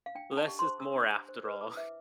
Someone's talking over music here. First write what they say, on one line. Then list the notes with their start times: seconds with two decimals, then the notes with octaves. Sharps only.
Less is more after all.
0.06 F5
0.15 D4 G5
0.32 D4
0.37 A5
0.48 G4
0.59 C5 C6
0.80 D4 E6
0.96 D4
1.12 G4
1.29 C5
1.45 B4 E6
1.61 E4 D6
1.77 B4 E5